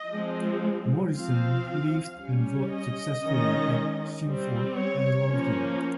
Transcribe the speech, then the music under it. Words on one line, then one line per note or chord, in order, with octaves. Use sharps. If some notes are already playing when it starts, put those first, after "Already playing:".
Morrison lived and wrote successively at Chingford and Loughton.
Already playing: D#5
F3 G#3 C4
F3 C4 F5
G3 C#4
D#5
D#3 G#3 C#4
G3 C4
C#5
F3 A#3 C#4